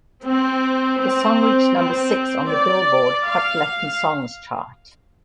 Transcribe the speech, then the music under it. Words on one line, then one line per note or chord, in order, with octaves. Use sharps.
The song reached number six on the "Billboard" Hot Latin Songs chart.
C4
C4
C4
D5
F5